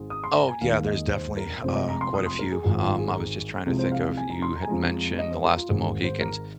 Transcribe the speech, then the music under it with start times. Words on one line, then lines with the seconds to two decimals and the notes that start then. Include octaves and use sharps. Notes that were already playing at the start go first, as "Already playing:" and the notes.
Oh, yeah, there's definitely, uh, quite a few. Um, I was just trying to think of you had mentioned The Last of Mohicans.
Already playing: G#1 G#2 G#3
0.10 D#6
0.24 C6
0.36 A#5
0.49 G#5
0.61 D#2 D#3 G#3 F5
0.87 D#5
1.12 C5
1.37 A#4
1.63 F1 F2 F3 G#3 C5
1.76 D#5
1.89 A#5
2.01 C6
2.14 D#6
2.26 C6
2.39 A#4
2.52 G#4
2.64 G#1 G#2 D#3 G#3 F4
2.82 F4
2.99 G#4
3.08 A#4
3.17 G#4
3.66 C2 C3 F3 G#3
3.79 C5
3.92 F5
4.05 F5
4.17 G#5
4.30 A#5
4.42 C6
4.56 A#5
4.62 G#5
4.68 F2 F3 G#3 A#5
5.19 D#5
5.31 C5
5.45 A#4
5.57 F4
5.69 G#1 G#2 D#3 G#3 G#4
6.04 C5
6.21 A#4